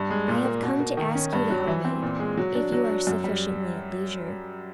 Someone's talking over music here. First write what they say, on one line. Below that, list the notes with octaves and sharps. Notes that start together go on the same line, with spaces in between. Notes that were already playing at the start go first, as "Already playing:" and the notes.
I have come to ask you to help me, if you are sufficiently at leisure.
Already playing: G2
G#3
A#2
A#3
B2
A#3
D#3
C#4
G2
F#3
E3
C4
A#2
G#3
F#3
D4
F#3
D4
F#2
G3